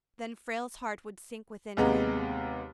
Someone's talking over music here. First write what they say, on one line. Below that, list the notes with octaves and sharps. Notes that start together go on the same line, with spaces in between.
Then Frale's heart would sink within him.
D#2 C3 G#3 B3 A#5